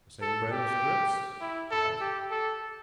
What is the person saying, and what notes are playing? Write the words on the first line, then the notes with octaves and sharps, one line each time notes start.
"The same brand of cigarettes?" he asked.
A4
G4
E4
A4
G4
A4